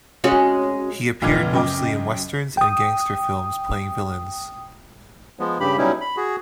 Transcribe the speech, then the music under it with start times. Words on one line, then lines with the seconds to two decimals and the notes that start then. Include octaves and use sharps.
He appeared mostly in westerns and gangster films playing villains.
0.24 G#3 C#4 F#4
1.22 F1 A#2 D4 D6 F6 G#6
1.53 F#2 C#3 D#5 G5 D6
2.57 G5 D#6
5.39 F3 G#3 B3
5.60 G2 C#3 G4 B5
5.78 B2 F#3 G3 C#4 D#4 E4
6.01 B5
6.17 F#4 G#4